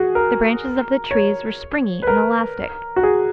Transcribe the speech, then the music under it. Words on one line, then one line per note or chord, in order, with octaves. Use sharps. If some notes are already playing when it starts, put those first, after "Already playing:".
The branches of the trees were springy and elastic.
Already playing: F#4 G#4
A#4
C#5
B4
A#4
F#4
G#4